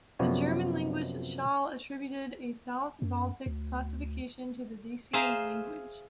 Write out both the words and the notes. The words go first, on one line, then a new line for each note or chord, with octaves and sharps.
The German linguist Schall attributed a South Baltic classification to the Dacian language.
F#2 C3 F3 B3 C#5 D5
F#2
D2
G#4 C5 E5 F5 A#5